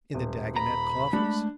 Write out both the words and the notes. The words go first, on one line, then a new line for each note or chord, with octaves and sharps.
In the Dagonet coffers?
D#1
A#5 B5
G#3 A3 D4